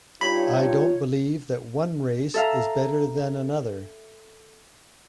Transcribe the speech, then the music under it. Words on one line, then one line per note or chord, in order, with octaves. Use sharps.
I don't believe that one race is better than another.
G2 D#4 F4 C#5 B5
A4 E5 F5 A#5